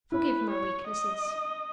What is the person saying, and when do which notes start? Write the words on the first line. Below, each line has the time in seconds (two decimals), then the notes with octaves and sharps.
Forgive my weaknesses.
0.12 E4 B4
0.51 C#5
0.90 D#5